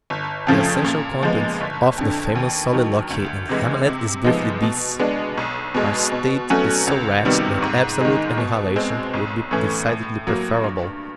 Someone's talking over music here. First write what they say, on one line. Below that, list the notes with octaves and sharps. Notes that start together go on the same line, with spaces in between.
The essential content of the famous soliloquy in "Hamlet" is briefly this: Our state is so wretched that absolute annihilation would be decidedly preferable.
G1
F2 C#3 F3 A3
A#2
F3 G#3 B3
G1
F2 D3
D#2
D#3 F#3
D2
C3 E3 G#3
C3
F3 G#3 B3 D#4
B2
G#3 B3 D4
B1
B2 G#3
B2
F#3 A3 C#4 F#4
C#2
C3 D#3 G3 B3
G#2
D#3 G#3
B2
G#3 C4
B1
A2 E3 A3 C#4
A2
F#3 A#3
G2